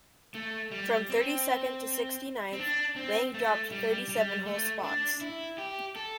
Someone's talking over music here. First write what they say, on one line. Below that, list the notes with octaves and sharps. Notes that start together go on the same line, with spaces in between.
From thirty-second to sixty-ninth, Wang dropped thirty-seven whole spots.
A3
G3
C4
C4
D4
C4
A3
G3
G3
A3
D4
E4
G4
A4